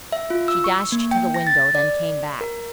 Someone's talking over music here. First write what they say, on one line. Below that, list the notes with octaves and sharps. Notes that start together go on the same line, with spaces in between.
She dashed to the window, then came back.
E5
F4
E6
C#6
A#3
G5
A#6
A6
D5
A#4